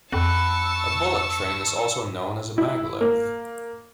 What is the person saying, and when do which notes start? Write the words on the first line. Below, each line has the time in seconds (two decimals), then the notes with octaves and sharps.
A bullet train is also known as a maglev.
0.12 F2 B4 F#5 A5 C#6 E6
2.58 E4
3.01 A#3